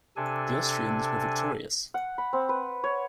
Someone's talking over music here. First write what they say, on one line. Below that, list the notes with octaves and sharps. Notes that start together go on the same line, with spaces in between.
The Austrians were victorious.
C3 D4 A4 G#5
F#5
B5
C4
B4
C#5